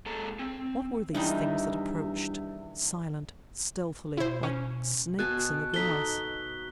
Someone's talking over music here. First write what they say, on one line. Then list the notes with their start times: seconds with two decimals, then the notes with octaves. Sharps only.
What were these things that approached, silently, stealthily--like snakes in the grass?
0.06 A#2 G#3 A4 A#5
0.39 C4
1.14 E2 G2 D#3 G3 D#4 E4 E5
4.17 B2 E4 C5
4.43 C#4
5.19 B2 G#5 A5 F#6
5.74 D#4 A4 B6 G7